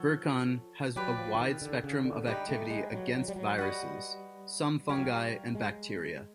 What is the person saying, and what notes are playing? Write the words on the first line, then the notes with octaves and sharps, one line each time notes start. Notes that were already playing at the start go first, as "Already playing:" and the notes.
Virkon has a wide spectrum of activity against viruses, some fungi, and bacteria.
Already playing: F3 A4 C#5 F#5
F#3 G4 B4 D5
F3
D3
D#3
D3
C#3
D3
G3 D#4 G4 B4
A3
G#3
F#3
F#3
G3
F#3
G3 F#4 B4 D#5
G3 G4 A#4 C#5 F5
F#3
G3
G#3